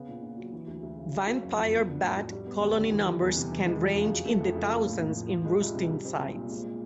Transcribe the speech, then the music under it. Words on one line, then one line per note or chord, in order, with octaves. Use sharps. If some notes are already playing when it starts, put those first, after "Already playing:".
Vampire bat colony numbers can range in the thousands in roosting sites.
Already playing: C#3 B3
A#2
A#2
F#3
E3
D2
D2
C#3
C#3
F#3
F#1
F2
B3
D4
A2
F#3
G3
B3
D#2
D3
E3
G3
E2
C3
E3
G#3
F2
C#3
F#3
A3
F2
C#3
A#3
A2
A2
F3
F3
G#3
C2
C3
G3
C4
B1
A#2
G#3